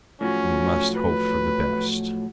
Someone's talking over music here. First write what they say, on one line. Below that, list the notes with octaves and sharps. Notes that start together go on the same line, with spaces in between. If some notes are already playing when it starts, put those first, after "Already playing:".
"We must hope for the best."
A2 F3 F#3 C#4
B4